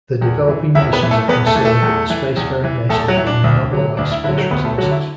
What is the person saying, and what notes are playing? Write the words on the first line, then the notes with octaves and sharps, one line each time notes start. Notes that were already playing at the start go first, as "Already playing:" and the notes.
The developing nations are concerned that the spacefaring nations will monopolize space resources.
E2
E3
E2 E4 E5
B3 B4
E3
A3 A4
E2 B3 B4
A3 A4
E3
A3 A4
E2
E3
E2
E3
E2 A3 A4
F#3 F#4
E3
D4
D2
D3 F#3
D2 D4
E4
D3 F#3 E4
F#3 F#4
D2 B3 B4
A3 A4
D3 F#3 F#4
E4